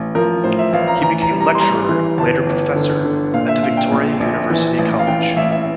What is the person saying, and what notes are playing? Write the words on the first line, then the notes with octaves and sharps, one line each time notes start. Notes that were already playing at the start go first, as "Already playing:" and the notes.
He became lecturer, later professor, at the Victoria University College.
Already playing: A1
F3 A#4
A2 C5
E5
A1 F5
A#5
E3 A#5
A#5
G3
A#5
C6
G3 A#5
E3
G1 A5
G1
D3
D3
A#2 F5
E5
A#2 F5
G5
A#1
A#1
E3
A1
F5
E3 G5
F5
A1 E5
E5